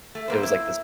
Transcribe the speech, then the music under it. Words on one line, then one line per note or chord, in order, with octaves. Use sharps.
It was like this
A3
G3 A#3 C5
E4